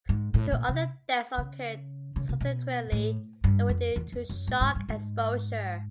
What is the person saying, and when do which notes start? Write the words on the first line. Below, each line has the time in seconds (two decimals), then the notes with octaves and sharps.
Two other deaths occurred subsequently and were due to shock and exposure.
0.09 G#2
0.34 A2
0.52 A#2
0.68 C3
1.38 C#3
2.16 C#3
2.29 C3
2.41 B2
2.92 A2
3.44 G2
3.69 F2
3.96 E2
4.12 F2
4.29 F#2
4.48 A2
4.61 G#2
4.75 G2
4.89 G#2